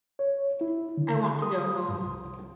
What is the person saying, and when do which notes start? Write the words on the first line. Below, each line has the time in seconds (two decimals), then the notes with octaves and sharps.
I want to go home.
0.19 C#5
0.61 E4
0.97 D3
1.42 D#6
1.88 G2
2.02 C2